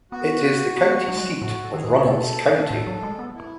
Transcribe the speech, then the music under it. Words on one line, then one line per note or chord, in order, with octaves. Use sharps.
It is the county seat of Runnels County.
B3 F#4
B3
F#3
G#3
F#3
A2 F#4
A4
D#3 G#4
A2
B2
B2 A4
A2
F#3
G#3
B3
E4